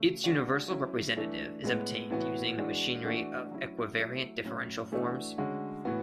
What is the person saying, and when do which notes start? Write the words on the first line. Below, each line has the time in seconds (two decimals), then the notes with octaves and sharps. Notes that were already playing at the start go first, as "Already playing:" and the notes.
Its universal representative is obtained using the machinery of equivariant differential forms.
Already playing: C#3 A3
0.24 C#3 G#3 D4 F#4
0.69 F#3 C#4 E4
1.17 E3 A3 D4
1.64 A2 G#3 B3
2.11 A2 E3 B3 F#4
2.57 E3 G#3 D4 F#4
3.05 E3 A3 D4 F#4
3.51 F#3 C#4 E4
3.98 F#3 A3 E4
4.45 A2 F#3 C#4 E4
4.92 E3 A3 D4 F#4
5.38 D3 G#3 C#4 F#4
5.85 A2 E3 B3 F#4